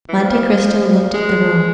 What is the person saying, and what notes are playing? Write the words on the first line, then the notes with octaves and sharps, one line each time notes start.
Monte Cristo looked at the room.
E3
F3
F3
G#3